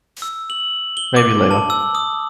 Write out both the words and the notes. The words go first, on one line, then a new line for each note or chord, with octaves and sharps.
Maybe later.
E6
F#7
G7
D6
A5
E6
D#6